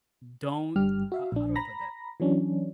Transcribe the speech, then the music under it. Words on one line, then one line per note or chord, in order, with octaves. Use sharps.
don't" how how do I put that?
G1 G2 G3 G4 F6
F#4 E5 F5
A#1 D4
A#5 B5 A#6
E3 F#3 C#4 D4